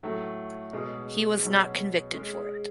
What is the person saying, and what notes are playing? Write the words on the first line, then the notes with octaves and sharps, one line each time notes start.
He was not convicted for it.
A2 F#3 A3
B2 G#3 C#4 G#4
B2 F#3 C#4
G#3 C#4 G#4